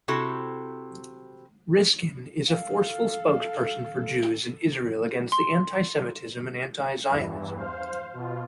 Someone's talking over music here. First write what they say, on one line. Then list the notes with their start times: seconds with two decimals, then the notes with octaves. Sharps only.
Riskin is a forceful spokesperson for Jews and Israel against anti-Semitism and anti-Zionism.
0.08 C3 C4 E4 F#4 A4
2.48 A4 F5
5.32 C6
7.09 E2 G2 E3
7.56 C5 F5
8.13 B2 F4